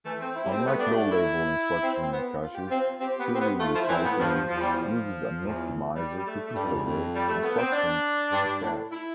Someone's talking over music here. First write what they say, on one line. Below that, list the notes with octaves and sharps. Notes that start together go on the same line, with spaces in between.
Unlike low-level instruction caches, query recycling uses an optimizer to pre-select instructions to cache.
E3 A3
C4
E4
G3
C4
A3 B3
G3 D4
A3
D4
E4
C4
C4
B3
F4
G4
C4 F4
C4 G4
B3
C4
B3
A3 F4
F3 E4
E3 C4
A2 B3
G2 F3
E2 F3
G3
F3
E2
G3
G3
A3
A3
G2 G3
F2
E2
F2
G3
A3
B3
C4
D4
G2
A2
E4